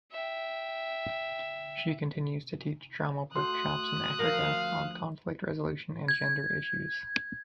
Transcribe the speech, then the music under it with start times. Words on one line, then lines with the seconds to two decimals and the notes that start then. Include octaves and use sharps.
She continues to teach drama workshops in Africa on conflict resolution and gender issues.
0.12 E5 G5
3.36 A3 F#4 C6 D#6 F#6
4.19 D2 F3 A#4 F5
6.08 G#6